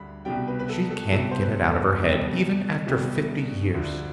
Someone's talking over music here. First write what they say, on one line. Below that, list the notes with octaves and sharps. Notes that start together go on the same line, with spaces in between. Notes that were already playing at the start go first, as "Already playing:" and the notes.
She can't get it out of her head, even after fifty years.
Already playing: D2 D3 G3 B5
C2 B2 G3 G5
B4
B4
A4
A4
C2 B2 G3 A4
C5
B4
A4
C2 B2 G3
C2 B2 G3
D2 D3 F3